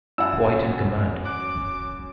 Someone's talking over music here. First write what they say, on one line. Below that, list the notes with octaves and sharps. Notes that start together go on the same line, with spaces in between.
White in command.
F#2 E4 F#5 G#5 E6
D6 F#6